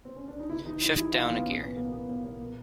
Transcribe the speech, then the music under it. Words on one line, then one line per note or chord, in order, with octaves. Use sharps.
Shift down a gear.
C4
C#4
D4
D#4
C3 E4
E3 D#4
C3 E4
D#4
E3 E4
C3 F4
E3 B3
B2 C#4
B2 B3
B2 A#3
B2 B3
B2 A#3
B2 A#3
A#2 B3